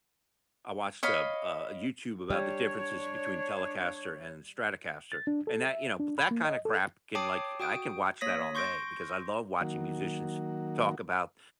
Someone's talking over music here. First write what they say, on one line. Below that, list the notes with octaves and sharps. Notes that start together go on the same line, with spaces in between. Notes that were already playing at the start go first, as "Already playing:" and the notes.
I watched a, uh, YouTube about the differences between Telecaster and Stratocaster, and that you know, that kinda crap can, like, I can watch that all day, because I love watching musicians talk about
C#5 D#5 F5 B5
G3 D4 C#5
A6
D4
A4
E5
D4
B5
A#3
D#5
A4
C#5 G5 A5 D6 D#6 C7
F#4 G5 D#6 D7
A#3 C#5 D#6 A#6 B6
C6 C#6 G6 A#6 D7
D#3 F#3 A#3 F#4